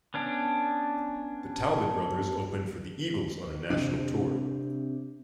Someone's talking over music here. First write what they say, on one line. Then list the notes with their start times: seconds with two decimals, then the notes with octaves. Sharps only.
The Talbot brothers opened for The Eagles on a national tour.
0.14 B3 C#4 D4
3.70 C3 C4 D4